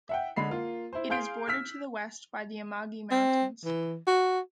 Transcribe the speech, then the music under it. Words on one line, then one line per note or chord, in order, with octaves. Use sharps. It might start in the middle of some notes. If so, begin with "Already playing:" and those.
It is bordered to the west by the Amagi Mountains.
E5 F#5 G5
D3 G#3 B5 C7
A#3 F4
E4 C5
G#4 F5 C6 G6 D7
E6 F6 B6
C4
E3
F#4